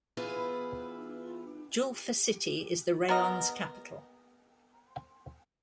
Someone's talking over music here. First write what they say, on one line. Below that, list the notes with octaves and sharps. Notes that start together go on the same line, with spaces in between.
Julfa city is the rayon's capital.
E3 B3 E4 F4 G#4 B4
B3 A#4 D#5